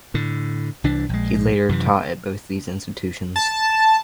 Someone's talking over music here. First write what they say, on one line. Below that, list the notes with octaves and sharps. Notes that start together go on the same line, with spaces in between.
He later taught at both of these institutions.
A2 D3
C2 E3 D4
A#1 G#3
F#2 C3 E3
A5